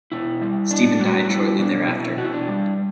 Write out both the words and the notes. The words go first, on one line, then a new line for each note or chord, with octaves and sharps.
Stephen died shortly thereafter.
B2 E4
G3
D4
G3 F#4
G3 E4
B2 D4
B2 E4
B2 F#4
E4
D4
G3